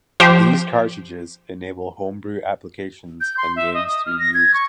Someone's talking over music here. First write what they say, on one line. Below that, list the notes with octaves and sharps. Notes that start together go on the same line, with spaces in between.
These cartridges enable homebrew applications and games to be used.
F3 G4 C5
G6
C6
E5
D#5
D#6
F6
A#6
G#6
C#6